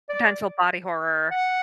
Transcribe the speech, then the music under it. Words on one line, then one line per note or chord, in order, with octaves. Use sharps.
potential body horror.
D5
F#5